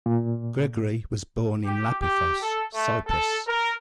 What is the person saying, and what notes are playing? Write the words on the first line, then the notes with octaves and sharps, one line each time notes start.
Gregory was born in Lapithos, Cyprus.
A#2
G4
G4
A4
A3
A4
A#4